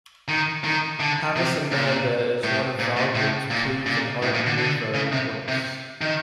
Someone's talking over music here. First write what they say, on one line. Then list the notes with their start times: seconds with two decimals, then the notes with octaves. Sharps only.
"Havis Amanda" is one of Vallgren's Parisian Art Nouveau works.
0.28 D#3
0.64 D#3
1.00 D3
1.36 C3
1.72 A#2
2.43 A2
2.79 A#2
2.97 A#2
3.15 A2
3.51 A#2
3.86 A#2
4.22 A2
4.34 A#2
4.47 D3
4.58 D3
4.94 C#3
5.12 C3
5.48 C3
6.01 D#3